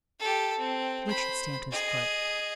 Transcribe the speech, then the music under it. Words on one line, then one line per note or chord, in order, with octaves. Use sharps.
Richard stamped his foot.
G4 A4
C4
C5 B5
G#4 D#5